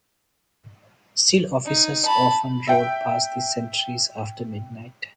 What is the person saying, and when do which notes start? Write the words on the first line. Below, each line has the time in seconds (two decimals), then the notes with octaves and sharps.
Still, officers often rode past the sentries after midnight.
1.65 D#4
2.05 A5 B5
2.67 E5 G5